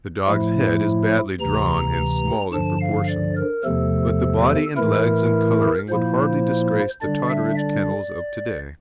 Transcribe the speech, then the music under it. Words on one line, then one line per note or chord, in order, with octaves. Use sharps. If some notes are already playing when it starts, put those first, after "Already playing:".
The dog's head is badly drawn and small in proportion; but the body and legs and colouring would hardly disgrace the Totteridge Kennels of to-day.
A2 F3 A3 E4
D2 C3 E3 A#5
G2 D3 F3 A5
F5
D5
A#4
E2 C3 F3 A3 A4
A2 E3 A3 E4 A#4
A#2 F3 A#3 E4 C5
D3 G3 D4 D5
E5
D5